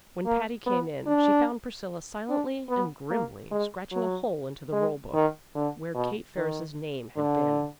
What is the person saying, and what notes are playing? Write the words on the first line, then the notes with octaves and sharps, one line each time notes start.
When Patty came in she found Priscilla silently and grimly scratching a hole into the roll-book where Kate Ferris's name had been.
A#3
B3
D4
D4
B3
A#3
G#3
F#3
G#3
D#3
D3
B2
D#3
D3